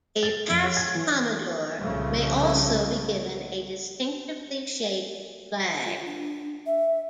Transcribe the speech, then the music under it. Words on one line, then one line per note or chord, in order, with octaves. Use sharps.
A past-commodore may also be given a distinctively-shaped flag.
A6
F2
C#5
G#6
E3
C2 A#2 C#3 F3 A3
F4
D4
E5